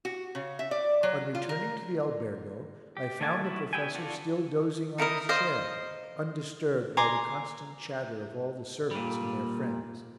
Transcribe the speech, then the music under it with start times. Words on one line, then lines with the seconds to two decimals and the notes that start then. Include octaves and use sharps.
On returning to the albergo I found the professor still dozing on his chair, undisturbed by the constant chatter of all the servants and their friends.
0.05 F#4
0.35 C#3
0.59 E5
0.71 D5
1.03 F#3
1.35 F4
1.49 A#4
2.97 G4
3.20 D#3 A3 A#3 G#5 A5
3.45 E4 F#4 B4
3.73 B3 E4 G4 G5 G#5
3.94 D4 F4 F#4 A4
4.98 D#4 E4 A#4 D#5
5.29 C5 D#5 F5
6.97 G#5 A#5 C6 D6
8.91 A#2 G3